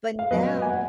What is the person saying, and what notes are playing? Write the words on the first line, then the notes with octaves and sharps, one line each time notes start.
But now
F5
A#2 F#3 B3 B4 D#5
G#5
F#5